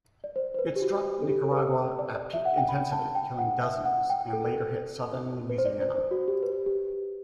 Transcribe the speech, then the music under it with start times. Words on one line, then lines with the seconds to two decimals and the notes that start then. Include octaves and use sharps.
It struck Nicaragua at peak intensity, killing dozens, and later hit southern Louisiana.
0.24 D5
0.36 C5
0.54 C5
0.59 B4
0.76 G4
0.82 F#4
1.22 A4
1.29 G4
1.44 A4
1.51 B4
1.99 D5
2.34 E5
2.45 F#5
2.57 G5
2.69 B5
2.92 A5
3.15 G5
3.39 F#5
3.63 E5
3.85 F#5
4.10 G5
4.21 G5
4.33 A4
4.45 A4
5.49 B4
5.58 C5
5.65 D5
5.80 C5
5.95 C5
6.11 F#4
6.28 G4
6.43 B4
6.66 G4